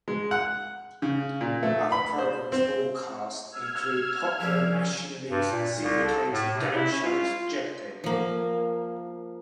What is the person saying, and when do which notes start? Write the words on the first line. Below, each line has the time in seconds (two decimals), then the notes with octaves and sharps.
Other programs broadcast include popular nationally syndicated game shows Jeopardy!
0.08 G#3
0.31 F#5
1.02 C#3
1.41 A#2
1.63 A3
1.92 B5
2.18 C5
2.52 C4
3.50 E6 F6 G#6
4.39 F3 G3 A#3
5.30 G2
5.51 A#2
5.82 C2
6.04 A4
6.32 A2
6.54 C3
6.75 E4
6.92 C#4
7.04 F4
8.04 F3 A#3